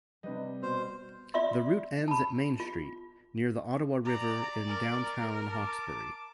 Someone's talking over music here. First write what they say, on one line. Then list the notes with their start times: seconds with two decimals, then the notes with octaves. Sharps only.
The route ends at Main Street, near the Ottawa River in downtown Hawkesbury.
0.23 C3 G3 B4 D#5
0.63 B2 C5 F6
1.34 F4 D5 E5 C6
2.08 A5 B5
2.60 F4
4.05 D5 A#5
4.68 A#4
5.47 A5 D6